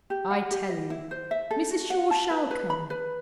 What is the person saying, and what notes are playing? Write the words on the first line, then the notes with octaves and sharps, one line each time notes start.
I tell you, Mrs. Shaw shall come.
G4
F#5
G4
D#5
E4
C5
E5
A4
F#4
F#5
A5
B4
B4
B5
B4